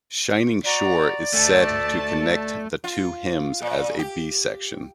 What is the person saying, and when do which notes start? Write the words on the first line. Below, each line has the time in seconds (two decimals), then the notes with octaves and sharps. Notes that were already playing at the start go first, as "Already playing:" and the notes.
"Shining Shore" is said to connect the two hymns as a B section.
0.64 F#4 D5 A#5
1.34 D2 A3 A5
2.84 F4
3.62 A#2
3.99 G4